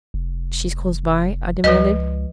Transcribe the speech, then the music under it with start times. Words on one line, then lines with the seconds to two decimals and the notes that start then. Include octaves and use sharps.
"She's close by?" I demanded.
0.14 F1
1.64 C#2 F3 B4 D#5